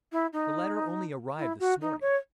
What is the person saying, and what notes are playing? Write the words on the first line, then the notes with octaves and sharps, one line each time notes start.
The letter only arrived this morning.
E4
D#4
E4
F#4
D#4
C#5